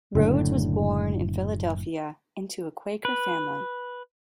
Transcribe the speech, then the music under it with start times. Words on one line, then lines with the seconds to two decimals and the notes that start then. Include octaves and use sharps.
Rhoads was born in Philadelphia into a Quaker family.
0.15 F#1 A2 D3
3.05 B4